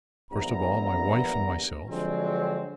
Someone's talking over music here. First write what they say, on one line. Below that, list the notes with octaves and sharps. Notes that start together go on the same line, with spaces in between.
First of all my wife and myself.
A#1 G2 E3 B3 A#5
D3 F3 F#3 G#3 C4